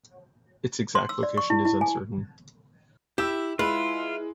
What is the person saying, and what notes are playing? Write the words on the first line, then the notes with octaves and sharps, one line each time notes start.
Its exact location is uncertain.
C6
E6
D5
C#6
E4
E4
G#5
E4 G4 E6 E7
G#3 E4 F4 B4